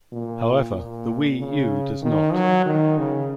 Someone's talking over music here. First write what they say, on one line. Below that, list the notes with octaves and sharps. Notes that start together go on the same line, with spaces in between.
However, the Wii U does not.
A#2
A#2
C#3
D#3
F#3
D#3
C#3